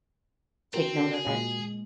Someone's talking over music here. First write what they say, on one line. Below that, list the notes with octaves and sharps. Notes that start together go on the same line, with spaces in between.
take note of it.
C4 F#4 A#4
G#4
A#2 G#3